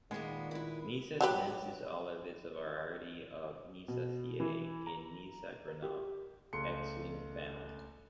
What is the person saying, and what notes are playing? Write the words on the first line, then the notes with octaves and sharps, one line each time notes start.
Nyssa sinensis Oliv is a variety of Nyssaceae in Nyssa Gronov. ex Linn family.
A#2 D#3 G#3 A#3 B3
E4 B4
F#3 G4 B4
B2
E3
A#5
A#4
G4
C#2 A3 C6 C#7